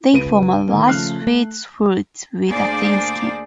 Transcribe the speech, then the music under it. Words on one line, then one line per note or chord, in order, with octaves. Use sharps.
They form a large sweet fruit with a thin skin.
C#2 B4 D7 D#7
D#3 A#3
C#3 F3 A3 F6 F#6 C7
A3
D2 A#3 D4 G#4 C5 D5